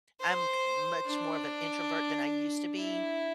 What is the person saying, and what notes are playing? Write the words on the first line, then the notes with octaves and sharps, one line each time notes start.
I'm k much more of an introvert than I used to be,
C5
D4
E4